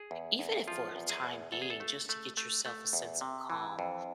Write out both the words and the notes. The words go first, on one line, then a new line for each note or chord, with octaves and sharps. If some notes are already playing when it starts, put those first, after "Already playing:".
Even if for a time being, just to get yourself a sense of calm
Already playing: G#4
E2
E2
F3 F4
E2
G#4
E2
E2 A4
G#4
A4
A3
A3
A3
A3
E2
C3
E3
F2